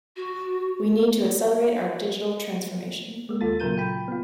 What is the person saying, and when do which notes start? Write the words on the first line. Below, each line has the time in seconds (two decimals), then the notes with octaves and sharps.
We need to accelerate our digital transformation.
0.16 F#4
3.29 G#3 A#3
3.41 D#2 F4 A4 A6
3.60 A#2 C#3 F#3 A#4 G6 D#7
3.78 G5 B5
4.08 B3 F4